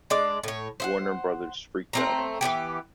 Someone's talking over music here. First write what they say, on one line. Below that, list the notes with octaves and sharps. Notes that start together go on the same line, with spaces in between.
Warner Brothers freaked out on us.
G#3 D4 D5
A2 C#5
C5 E5 F#5
A3 C4 A#5
E3 G3 B3 G4